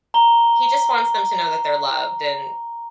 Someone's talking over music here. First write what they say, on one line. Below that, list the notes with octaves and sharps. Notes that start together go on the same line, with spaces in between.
he just wants them to know that they're loved and
A#5 G7